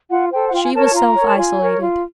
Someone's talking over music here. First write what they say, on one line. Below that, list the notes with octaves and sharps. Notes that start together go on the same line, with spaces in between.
She was self-isolated.
F4 F#5
A4 C5 G5
F#5
F4 G5
G#5
A#4 C#5 A5
A5
F4 A#5
A#4 C#5
A5
F4 G#5
A#4 C#5
F4